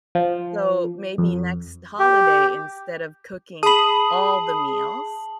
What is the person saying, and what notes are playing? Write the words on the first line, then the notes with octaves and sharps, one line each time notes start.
So, maybe next holiday, instead of cooking all the meals,
F3
F2
G4
G#4 A5 B5 D#6 F#7